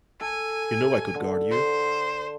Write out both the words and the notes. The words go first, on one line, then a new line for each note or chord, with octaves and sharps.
You know I could guard you.
A4 G#5
D3
C5